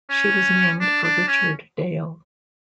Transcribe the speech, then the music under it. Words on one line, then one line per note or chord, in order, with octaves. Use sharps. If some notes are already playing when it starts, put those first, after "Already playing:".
She was named for Richard Dale.
C#4
D4
D4
C#4